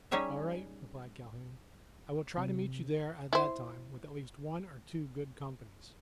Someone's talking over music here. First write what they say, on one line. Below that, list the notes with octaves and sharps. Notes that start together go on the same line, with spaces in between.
"All right," replied Calhoun, "I will try to meet you there at that time, with at least one or two good companies."
G3 C#4 D#4 G#4 C#5 E5
C3
E4 C5